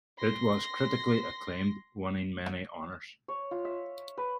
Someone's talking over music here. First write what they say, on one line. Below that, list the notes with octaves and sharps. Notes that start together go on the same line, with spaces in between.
It was critically acclaimed, winning many honors.
C6 A#6
C#5
F4
E5
B4